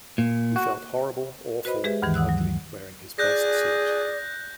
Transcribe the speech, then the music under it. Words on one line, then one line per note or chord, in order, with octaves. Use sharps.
He felt horrible, awful, and ugly wearing his best suit.
A#2
F#4
F#4 B4 C5 D#5 B5
G#3 G4 G#4 B4 E5
D2 G2 D#3 E3
F#5 D#6 E6 F#6
F#3
G#4 D5 F#6 G6 A#6